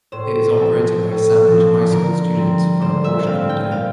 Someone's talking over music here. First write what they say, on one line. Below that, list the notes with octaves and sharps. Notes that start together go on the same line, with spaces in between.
It is operated by Sandwich High School students for a portion of the day.
A2 C5
F3 C4
A2
F3 C4
D3 A#4
G3 C4
D3 C5
E5
G3 C4 F5
G5
A#2 F5